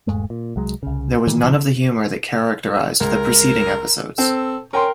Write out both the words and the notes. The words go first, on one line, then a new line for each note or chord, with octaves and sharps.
There was none of the humour that characterised the preceding episodes.
D#1 G2 G#3 A3
A#2
C2 F#3 G#3
C2 C#3
A2 D#3 E3 A#3
D1 A2 D#3 F3
C#2 A#4
C4 A4
C#4 A#4 G5 C6